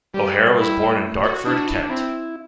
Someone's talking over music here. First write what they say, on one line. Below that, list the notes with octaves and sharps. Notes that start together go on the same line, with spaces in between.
O'Hara was born in Dartford, Kent.
G3 G4
E4
A3
F#4
D4 E4
F#4
E4
D4
C4 E4